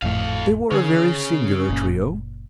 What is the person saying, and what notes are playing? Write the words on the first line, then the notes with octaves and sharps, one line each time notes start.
They were a very singular trio.
G#1 F2 A2 A4 F5
D3 C#4 G#4
F#1 A#2